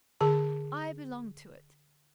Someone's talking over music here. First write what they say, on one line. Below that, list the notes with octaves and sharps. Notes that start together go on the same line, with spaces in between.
I belong to it.
D3 G#4 A5